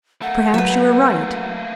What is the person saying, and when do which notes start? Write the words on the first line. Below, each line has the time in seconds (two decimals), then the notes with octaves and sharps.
Perhaps you are right.
0.22 A3 A#3 F#5
0.54 F#3 B4 E5